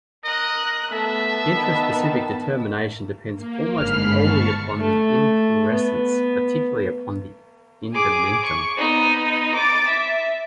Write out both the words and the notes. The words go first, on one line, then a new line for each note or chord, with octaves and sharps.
Intraspecific determination depends almost wholly upon the inflorescence, particularly upon the indumentum.
A#4 D#5 F#6
A3 B3 E5 A5
D#3
A#3
G1 G#2 B5 F6 C7
A5 C#6 C#7
A3
B3
G#4 D6
C#6
B3 D#4
D6 A6
E5